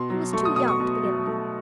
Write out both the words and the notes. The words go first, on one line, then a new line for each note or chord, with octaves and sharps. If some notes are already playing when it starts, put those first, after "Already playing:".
He was too young, to begin with.
Already playing: B2 C6
F#3
A3 C#6
D#6
B2 D#6
C#6
B2
F#3
A3